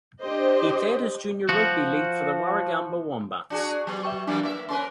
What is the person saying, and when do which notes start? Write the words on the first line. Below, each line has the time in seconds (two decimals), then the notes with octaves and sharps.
He played his junior rugby league for the Warragamba Wombats.
0.22 D4 G4 C5 D#5
1.49 F3 F#4
3.50 D4 F#4 G#4
3.87 F#3 B3
4.03 E5 G5 C#6
4.27 E3 F#3 A#3 D4
4.43 A#3 E5
4.69 C#4 A#4 B4 C6